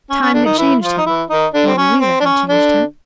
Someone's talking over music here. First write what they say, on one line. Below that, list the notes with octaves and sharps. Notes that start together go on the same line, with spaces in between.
Time had changed him, or Louisa had changed him.
C#4
C#4
D3 D4
D#3 D#4
E3 E4
F3 F4
D#4
E3 E4
D#3 D#4
D3 D4
C4
C#4
C4
D4
C#4
D3 D4